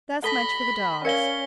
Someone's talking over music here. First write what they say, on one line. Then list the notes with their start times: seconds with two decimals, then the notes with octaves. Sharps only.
Thus much for the dogs.
0.24 A4 A5 B5 A#6 B6 G7
1.05 C#4 A#4 D5 F5 C#7 G7